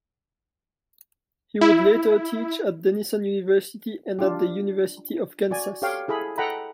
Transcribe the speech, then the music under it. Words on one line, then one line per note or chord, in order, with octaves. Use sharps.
He would later teach at Denison University and at the University of Kansas.
E4
D4 F4 G4
F#4 D5 G#5
G4 A4 C#5 F5 G5
E4 G#4 A4 B5
A4 D#5 F#5 G5 A#5 B5